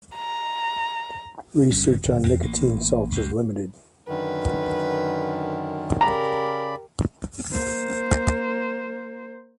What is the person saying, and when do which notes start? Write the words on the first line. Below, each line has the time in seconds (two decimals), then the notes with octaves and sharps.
Research on nicotine salts is limited.
0.15 A#5
1.71 G1 D3 G3 C#4
2.05 D1
2.26 E2 C4
2.42 A1 A#3
3.12 C#2 F#2
4.08 F#2 D3 D#3 B4
6.01 C#3 G4 A#4 D5 A#5 B5
7.51 A#3 C5